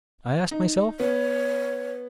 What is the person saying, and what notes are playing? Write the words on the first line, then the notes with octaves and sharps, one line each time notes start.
I asked myself.
D#4
B3 C#5